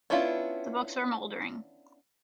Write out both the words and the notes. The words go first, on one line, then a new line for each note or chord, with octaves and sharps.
The books were mouldering.
B3 C#4 D4 E4 F4